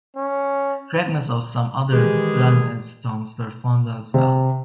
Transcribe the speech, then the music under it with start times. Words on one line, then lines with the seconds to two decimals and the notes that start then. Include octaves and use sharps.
Fragments of some other runestones were found as well.
0.16 C#4
1.92 D#3 E3 G#3 G4 G#4
4.14 C3